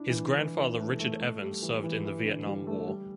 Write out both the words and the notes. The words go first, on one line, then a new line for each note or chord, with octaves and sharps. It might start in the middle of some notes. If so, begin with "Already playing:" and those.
His grandfather Richard Evans served in the Vietnam War.
Already playing: D4 E4
E3
E3
E3
A3
A3
A3
G3
E3
E3
E3
D3
G3
A3
G3